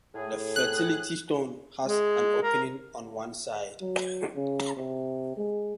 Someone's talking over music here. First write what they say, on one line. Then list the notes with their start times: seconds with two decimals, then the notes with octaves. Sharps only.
The fertility stone has an opening on one side.
0.15 A2 G#4
0.56 F#6
1.86 G#3
2.43 A#4
3.81 F#3
4.35 C#3
4.77 C3
5.37 G#3